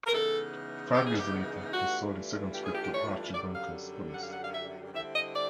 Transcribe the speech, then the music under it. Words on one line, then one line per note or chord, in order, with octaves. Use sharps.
Five years later, he sold his second script to "Archie Bunker's Place".
A#4
C#3 E3 G#3 B3 D#4 A4
G4
G#4
G4
G2 E3 A3 D4 F4 F#4
G4
G#4
G4
G4
C#5
F#2 D3 G3 D5
F5
F#5
F5
F#5
F5
E5
D3 G3 C4 E4 E5
D#5
D5